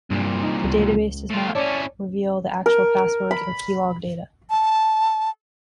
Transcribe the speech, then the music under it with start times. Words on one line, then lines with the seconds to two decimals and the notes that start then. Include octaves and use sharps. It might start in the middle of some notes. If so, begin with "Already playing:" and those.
The database does not reveal the actual passwords or keylogged data.
0.10 C2 G2 A#2
0.43 D#4
0.64 C#2
1.30 A2 F4
1.55 C#4 E4 C#5 D5 A5
2.66 A#4
3.31 B5
4.50 A5